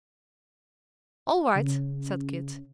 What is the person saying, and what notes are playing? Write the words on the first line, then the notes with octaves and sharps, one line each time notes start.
"All right," said Kit.
C#3